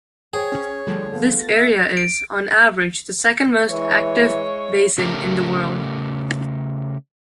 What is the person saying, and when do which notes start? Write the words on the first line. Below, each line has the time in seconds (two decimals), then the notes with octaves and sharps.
This area is, on average, the second-most active basin in the world.
0.33 G#4 C5 C#5 G5
0.52 C#4
0.87 D3 F3 G3 A3
1.12 A3 B3 F4
1.39 A6 A#6
1.57 E5
1.97 D7
3.70 E3 G#3 E4 C#5
4.98 C#3 A3 G4 A#4